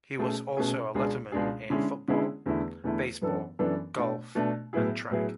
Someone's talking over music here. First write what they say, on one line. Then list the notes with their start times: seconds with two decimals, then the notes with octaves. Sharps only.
He was also a letterman in football, baseball, golf and track.
0.19 B2 A3 C#4 G#4
0.57 B2 A3 C#4 G#4
0.94 C#2 B2 G#3 D4 G#4
1.32 C#2 B2 G#3 D4 G#4
1.70 D3 G#3 C#4 E4 G#4
2.08 D3 G#3 C#4 E4 G#4
2.46 E2 D3 A3 E4
2.84 E2 D3 A3 E4
3.22 F#2 E3 B3 D4 A4
3.59 F#2 E3 B3 D4 A4
3.97 B2 A3 D4
4.35 B2 A3 D4
4.73 A2 F#3 B3 E4 G#4
5.11 A2 F#3 B3 E4 G#4